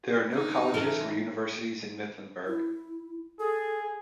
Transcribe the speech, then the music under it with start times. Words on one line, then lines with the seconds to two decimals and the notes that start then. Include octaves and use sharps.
There are no colleges or universities in Mifflinburg.
0.33 D#4
0.74 E3 A4 A#4
2.47 E4
3.40 G#4 A4